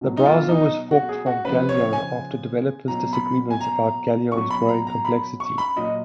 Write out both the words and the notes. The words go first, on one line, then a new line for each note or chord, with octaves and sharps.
The browser was forked from Galeon, after developers' disagreements about Galeon's growing complexity.
B2 F#3
D#4
F4
D#4
F#4
G#4
F#4
C#3 F3 B4
C#5
G#5
B2 F#3 A#5
B5
G#5
A#5
B2 F#3 C#6
B5
A#5
A#5
B5
C#6
B5
A#2 F#3 D#5